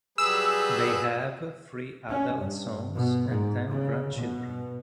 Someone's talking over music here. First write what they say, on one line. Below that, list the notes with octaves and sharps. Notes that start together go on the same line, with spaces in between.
They have three adult sons and ten grandchildren.
F#3 G3 G#4 B4 E6
C#4
G2
B2
G#2
C#3
B2